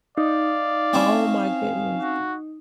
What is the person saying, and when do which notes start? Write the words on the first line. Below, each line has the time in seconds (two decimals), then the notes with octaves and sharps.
Oh my goodness.
0.18 D#4 D5 F5
0.93 C4 C#4 E4
2.02 F#4